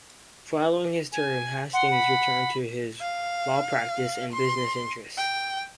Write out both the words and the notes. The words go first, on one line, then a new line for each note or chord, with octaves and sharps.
Following his term, Hastings returned to his law practice and business interests.
G#5
F#5 C6
B5
F5
C6
G5